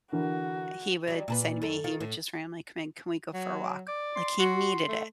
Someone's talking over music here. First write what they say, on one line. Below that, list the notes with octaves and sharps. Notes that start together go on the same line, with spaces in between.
he would say to me, he would just randomly come in, "Can we go for a walk?" Like, he needed it,
D3 E3 F#4 A#4
F#3 G3
A#2 A4 B4
F#2 A4
D#3 F4
A2
F#3
D5
C6
F#4
A3